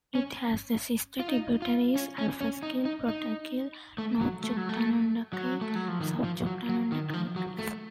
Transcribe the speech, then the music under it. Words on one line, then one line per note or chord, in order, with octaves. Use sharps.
It has the sister-tributaries: Alplaus Kill, Plotter Kill, North Chuctanunda Creek, South Chuctanunda Creek.
C#4
F4
D#4
F4
C#4
C#4
C#4
D#4
D#4
D#4
A3
F#3
A3
F#3
A3
F#3
A3
F#3
F3
D#3
F3
F#3
F#3
D#3
D#3
F3
F#3
A3